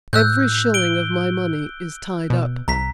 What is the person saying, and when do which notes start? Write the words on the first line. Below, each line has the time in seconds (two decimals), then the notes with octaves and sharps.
Every shilling of my money is tied up.
0.13 A2 E6 F#6 G6
0.74 D7 G7
2.30 B2
2.68 C2 A#5 B6